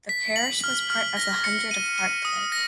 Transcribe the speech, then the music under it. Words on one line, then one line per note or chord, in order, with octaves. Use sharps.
The parish was part of the hundred of Hartcliffe.
B6
F#7
F6
F6
A#6
C#7
D#7
D#7
D#6
A#6